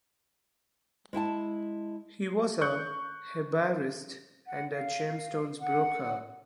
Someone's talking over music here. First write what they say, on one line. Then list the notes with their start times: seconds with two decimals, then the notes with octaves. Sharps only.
He was hebraist and gemstones broker.
1.13 G#3 E4 G5 A5
2.61 C#6 F#6 G6 C#7
4.47 F#5
4.74 F5
5.60 F#5